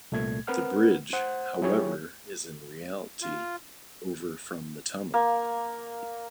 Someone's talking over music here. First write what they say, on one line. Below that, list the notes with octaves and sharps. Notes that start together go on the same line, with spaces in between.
The bridge, however, is in reality over from the tunnel.
C2 A#2 A3 G#6
C4 A#4 B4 F#5 F6
C5 F#5
F#3 E4 G4 G#4 C#5
F4
A#3